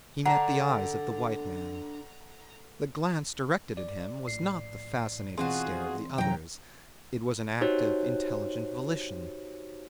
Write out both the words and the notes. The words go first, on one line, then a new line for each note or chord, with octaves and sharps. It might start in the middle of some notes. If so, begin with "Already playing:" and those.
He met the eyes of the white man. The glance directed at him was not the fascinated stare of the others. It was an act of intelligent volition.
D3 F#5 A#5
D5
A#1 A2 C7
B2 E3 C4 F4 F#4 G#4 C6
F#2 C3 E3 F#3 G5 A#5
D#4 F#4 G4 C5 C#5